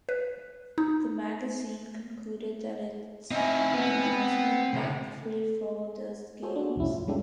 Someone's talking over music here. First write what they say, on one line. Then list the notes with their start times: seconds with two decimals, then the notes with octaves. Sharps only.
The magazine concluded that it's an announcement that Free Fall does games.
0.09 B4
0.78 D#4
3.31 C4 D#4 E4 G#5
3.73 B3
4.74 C#3 C4
5.24 A4
6.42 F4 F#4 G#4 A4 C5 C#5
6.56 D4 F#4
6.76 C2 F2 A2 C#4 E4
6.90 F4
7.07 G3 G#3 C#4 D4 G4 A4